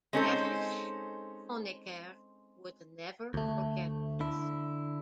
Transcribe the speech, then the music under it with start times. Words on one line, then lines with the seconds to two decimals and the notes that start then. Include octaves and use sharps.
Erich Honecker would never forget this.
0.13 G#3 C4 C#4 D#4 A4 C5
3.34 D2 A3
4.20 D3 E4